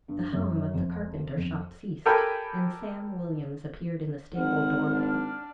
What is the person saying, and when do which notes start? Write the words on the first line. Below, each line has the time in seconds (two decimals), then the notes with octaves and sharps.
The hum of the carpenter shop ceased, and Sam Williams appeared in the stable doorway.
0.08 G2
0.33 F#2
0.74 F2
1.36 F2
2.06 G4 A4 A#4 G5 G#5 B5
4.37 G#1 F#5 F6
4.97 D4